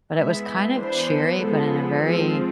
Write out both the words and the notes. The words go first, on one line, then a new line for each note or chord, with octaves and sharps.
but it was kind of cheery, but in a very,
G#3 B3 E4 E5
E3 B3 D4 C5
F3 G#3 B3 A4
F3 G#3 C4 F4